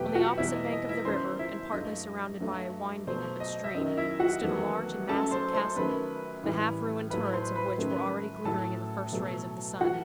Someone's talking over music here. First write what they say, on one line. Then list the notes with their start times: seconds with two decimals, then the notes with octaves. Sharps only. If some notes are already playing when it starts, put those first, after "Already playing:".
On the opposite bank of the river, and partly surrounded by a winding of its stream, stood a large and massive castle, the half- ruined turrets of which were already glittering in the first rays of the sun.
Already playing: E2 B2 F#3 A3 G4 B4 G5
0.15 F#4 F#5
0.37 E2 B2 G3 E4 E5
0.55 D#5
0.72 D#5
0.89 E4 E5
1.05 F#2 D#3 F#3 C5 C6
1.39 E4 E5
1.72 G2 F#3 A3 D#5
2.40 G2 F#3 A3
3.07 B2 F#3 A3 C5
3.40 D#5
3.64 E5
3.74 F#2 D#3 F#3 D#5
3.97 E4 E5
4.20 F#4 F#5
4.41 E2 D#3 F#3 A3
5.09 F#2 F#3 A3 A4 A5
5.31 C5 C6
5.54 C5 C6
5.76 F#2 D#3 F#3 A3 B4 B5
6.43 A2 E3 G3
7.10 A2 F#3 A3 B4 B5
7.33 C5 C6
7.55 B4 B5
7.78 F#2 D#3 F#3 A3
8.45 A2 F#3 A3 A4 A5
9.12 B2 F#3 A3
9.80 E3 A3 F#4 F#5